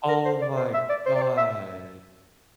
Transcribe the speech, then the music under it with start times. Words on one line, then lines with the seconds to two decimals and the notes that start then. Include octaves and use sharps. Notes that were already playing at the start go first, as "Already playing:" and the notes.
Oh my god!
0.09 A#4
0.25 C5
0.41 D5
0.57 C5
0.74 E5
0.89 D5
1.06 C5
1.16 D5
1.22 C5
1.37 E5